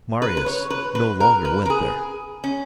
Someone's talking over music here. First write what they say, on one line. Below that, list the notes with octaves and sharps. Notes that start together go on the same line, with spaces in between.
Marius no longer went there.
B4
B4
C#5
B4
B4
A#4
B4
A#4
G#4
C#4